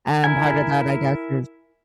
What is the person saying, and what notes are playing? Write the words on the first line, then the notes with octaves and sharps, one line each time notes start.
and part of that, I guess, is
E4 A#4 G#5